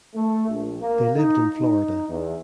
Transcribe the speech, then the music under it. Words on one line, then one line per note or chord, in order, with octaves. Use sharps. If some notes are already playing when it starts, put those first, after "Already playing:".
They lived in Florida.
A3
A#1
A#3
D#4
D#4
E2